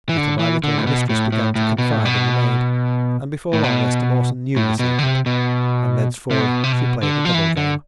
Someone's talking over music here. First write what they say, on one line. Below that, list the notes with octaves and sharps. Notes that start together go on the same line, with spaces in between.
Little by little the mistress began to confide in the maid, and before long Esther Mawson knew the secret--and thenceforward she played a double game.
E3
D3
E3
D3
A2
B2
A2
A2
A2
B2
A2
B2
A2
B2
A2
B2
D3
C3
B2
C3
B2
C3
B2
D3
F3
E3
D3